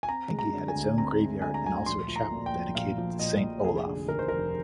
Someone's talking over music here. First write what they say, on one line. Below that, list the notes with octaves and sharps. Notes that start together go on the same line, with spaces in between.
Pellinki has its own graveyard and also a chapel dedicated to Saint Olaf.
G#5
C4 A#5
G#3
A#5
D3
G#5
D2
C4 A#5
G#3
D3 G#5
A#5
D2 G#5
A#1 C6
F3
A#5
A#2
G5
A#1
A#1 F5
F3
A#2 D#5
A#1
F1 G#4
D3
D#2 A#4
C5
F1 A#4